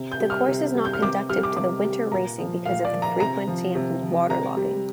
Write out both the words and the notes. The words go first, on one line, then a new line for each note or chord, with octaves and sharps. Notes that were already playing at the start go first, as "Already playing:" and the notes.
The course is not conducive to winter racing because of the frequency of water-logging.
Already playing: C3
G6
G3
F6
C3
G3
G6
F6
C3 D6
G3 F6
D6
C3 D6
G3
A#2 A#5
F3
A#2 F5
D5
F3
A#5
C3 A#5
F3
C3
F3
C3 A#5
G3